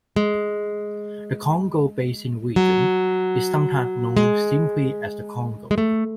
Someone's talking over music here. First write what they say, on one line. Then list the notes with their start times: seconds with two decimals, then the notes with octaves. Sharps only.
The Congo Basin region is sometimes known simply as the Congo.
0.16 G#3
2.56 F#3
4.17 G#3
5.71 G#3
5.78 A3